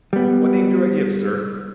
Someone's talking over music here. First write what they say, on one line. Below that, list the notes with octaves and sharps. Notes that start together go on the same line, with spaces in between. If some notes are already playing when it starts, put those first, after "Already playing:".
"What name do I give, sir?"
G3 B3